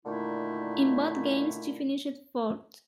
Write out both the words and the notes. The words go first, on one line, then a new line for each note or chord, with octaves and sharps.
In both Games she finished fourth.
A#2 D3 D#3 A3 D#4 E4